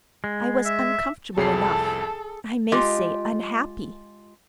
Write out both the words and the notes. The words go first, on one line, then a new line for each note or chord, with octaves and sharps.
I was uncomfortable enough, I may say unhappy.
G#3
E5
C2 F2 G#4 A4 A5 C7
G#3 F4 G4 D#5